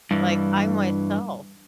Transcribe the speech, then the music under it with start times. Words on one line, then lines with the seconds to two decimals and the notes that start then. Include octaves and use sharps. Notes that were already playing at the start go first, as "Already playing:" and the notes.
Like, I myself
0.11 G2 E3